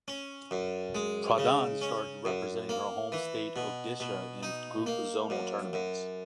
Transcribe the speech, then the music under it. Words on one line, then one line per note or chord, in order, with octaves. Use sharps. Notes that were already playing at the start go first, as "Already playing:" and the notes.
Pradhan started representing her home state Odisha in group zonal tournaments.
C#4
F#2
G#3
C#3
C#4
F#2
A#3
E3
B2
B2
D#4
A#3
F#2
F#2